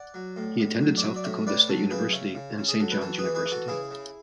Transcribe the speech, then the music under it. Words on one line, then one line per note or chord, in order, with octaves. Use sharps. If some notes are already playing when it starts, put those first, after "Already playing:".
He attended South Dakota State University and Saint John's University.
Already playing: D5 F#5
F#3
A2
A2
F#3
D5
F#3 C#5 E5
D5
A2 C#5 E5
A2 B4 D5
F#3 A4 C#5
C#3 G#4 B4
C#3 C#5 E5
C#3
C#3
G#4
F#3 A4
B4
E3 A4 C#5
G#4 B4
E3
G#4 B4
E3
F#4 A4
C#3 E4 G#4
C#3